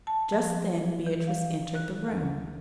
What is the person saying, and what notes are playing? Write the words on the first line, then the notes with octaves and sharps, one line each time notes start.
Just then Beatrice entered the room.
A5
F3
E3
F5
F#6
D2